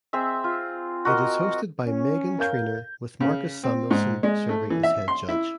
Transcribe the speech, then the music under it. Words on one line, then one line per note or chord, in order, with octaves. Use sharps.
It is hosted by Meghan Trainor with Marcus Samuelsson serving as head judge.
C4 G#4 E5
F4
F#4 A#4 D#5
C#4
A#4 F5 G6
C#3
C4
G#2
G#3
A3
E3
E5
C6
E4